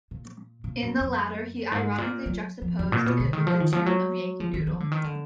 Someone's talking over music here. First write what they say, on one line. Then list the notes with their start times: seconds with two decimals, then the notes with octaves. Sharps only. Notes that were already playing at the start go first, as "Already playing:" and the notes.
In the latter he ironically juxtaposed it with the tune of "Yankee Doodle".
0.11 A#2
0.64 A#2
0.83 F#2
1.01 F#2
1.72 G#2
1.98 A#2
2.26 F#3
2.62 F3
2.79 F#2
2.92 A#2
3.06 B2
3.20 D3
3.33 D#3
3.47 F3
3.60 D#3
3.73 F3
3.86 F#3
4.40 F3
4.54 D#3
4.67 F3
4.80 D3
4.92 D#3
5.04 D3